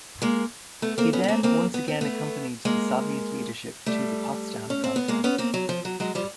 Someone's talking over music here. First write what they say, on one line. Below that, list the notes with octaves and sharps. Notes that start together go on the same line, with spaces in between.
He then once again accompanied the Soviet leadership to the Potsdam Conference.
G#3 A#3
A3 B3
A#3 C4
B3 C#4
B3
A#3 C4
A#3 C4
B3
C4
A3 B3
G#3 A#3
G3 A3
C#4
C4
B3
G#3 A#3
B3 C#4
A#3 C4
F#3
F3
F#3
F#3 G#3
F3 G3